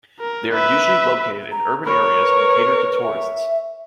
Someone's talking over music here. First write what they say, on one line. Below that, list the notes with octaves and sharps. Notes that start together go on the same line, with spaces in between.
They are usually located in urban areas and cater to tourists.
A#4
B4 E5
A#5
A#4 C#5 B5
B4
E5